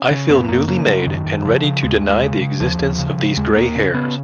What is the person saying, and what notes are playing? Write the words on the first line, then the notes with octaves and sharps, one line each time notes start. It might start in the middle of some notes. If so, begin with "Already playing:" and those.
I feel newly made and ready to deny the existence of these grey hairs.
Already playing: C#4
C#3
F#2 B3
F#2 A#3
C#3 A#3
C#3 F#3
F#2 D#3
F#2
C#3 F3
C#3
D#2 G#3
D#2
C#3
C#3
D#2 F3
D#2
C#3
C#3
D#2 G#3
D#2 A#3
C#3
C#3 B3